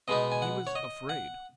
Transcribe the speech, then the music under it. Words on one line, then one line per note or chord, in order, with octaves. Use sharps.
He was afraid.
B2 G#3 B3 D#4 D#5
G#5
F#5
C#5
D#5
F#5